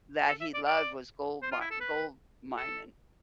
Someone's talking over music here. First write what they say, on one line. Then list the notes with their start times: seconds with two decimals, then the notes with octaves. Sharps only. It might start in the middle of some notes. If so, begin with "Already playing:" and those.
that he loved was gold mine gold mining.
0.28 A4
0.41 E5
0.54 D5
0.67 D5
1.42 C5
1.52 F4
1.61 E4
1.71 A4
1.81 B4
2.57 A4